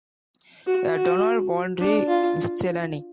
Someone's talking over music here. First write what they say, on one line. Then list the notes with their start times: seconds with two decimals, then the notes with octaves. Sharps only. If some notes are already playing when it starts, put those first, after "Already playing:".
"A Donald Wandrei Miscellany".
0.67 F#4
0.95 F#4
1.81 D4
2.08 F4